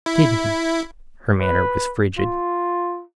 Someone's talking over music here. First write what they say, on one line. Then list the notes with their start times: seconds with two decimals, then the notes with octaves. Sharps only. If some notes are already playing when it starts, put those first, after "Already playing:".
"Did he?" Her manner was frigid.
0.06 E4
1.40 B4
2.18 F4